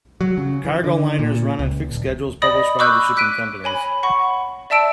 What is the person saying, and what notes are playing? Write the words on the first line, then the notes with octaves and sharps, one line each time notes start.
Cargo liners run on fixed schedules published by the shipping companies.
F#3
C#3
E3
D3
A#2
C#2
D#1
D5 D#5 B5 D#6 F#7
B5 C#6 D6 E6 F#6 G6
D6 F#6 B6 D7 D#7
C#5 G#5 B5
F#5 B5 C#6
D5 E5 A5 E6 D7